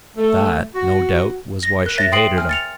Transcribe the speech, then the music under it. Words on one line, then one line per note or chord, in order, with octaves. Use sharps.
That, no doubt, was why she hated him.
A3
F#4
A#6
A#4 F#6
C#5 E5 A6 A#6
G5 C6 D#6 C7 D7 F#7
G#5 F6
A6 C#7 F7